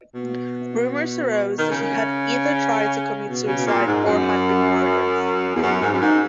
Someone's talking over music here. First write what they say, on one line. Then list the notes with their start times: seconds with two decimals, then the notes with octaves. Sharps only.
Rumors arose that she had either tried to commit suicide or had been murdered.
0.13 B2
1.59 D#3
1.70 C#3
3.27 B2
3.46 C#3
3.57 B2
3.66 A#2
3.85 G#2
4.05 F#2
5.54 E2
5.62 F#2
5.81 G#2
5.93 F#2
6.01 G#2